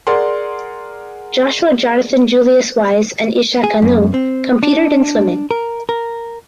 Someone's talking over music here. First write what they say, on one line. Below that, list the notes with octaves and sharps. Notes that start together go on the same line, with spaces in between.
Joshua Jonathan Julius Wyse and Isha Kanu competed in swimming.
G#4 A#4 D5 F#5 C6
G#4
F#2
C4
D4
A#4
A#4